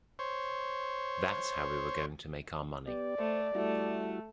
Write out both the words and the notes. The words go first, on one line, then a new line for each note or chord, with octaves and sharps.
That's how we were going to make our money.
C5 C#5
B3 G4 D5
A3 C5
G3 A3 E4 F#4